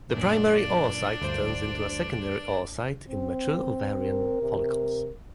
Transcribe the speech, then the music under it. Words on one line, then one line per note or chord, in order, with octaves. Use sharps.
The primary oocyte turns into a secondary oocyte in mature ovarian follicles.
F#2 A#2 D4 D5
D2 G2 C5
C4
A#4
C3